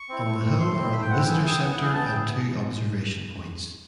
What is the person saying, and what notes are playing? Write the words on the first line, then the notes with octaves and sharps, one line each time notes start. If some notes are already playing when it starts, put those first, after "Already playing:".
On the hill are the visitor center and two observation points.
Already playing: C#6
C4 E4
A3
C4 E4
A3 C6
C4 E4
A3 B5
G5
C4 E4 F#5
G5
B3 G#5
E4 G#4 G5
B3 F#5
F#5
E4 G#4
G#5
B3 A5
G5
E4 G#4
B3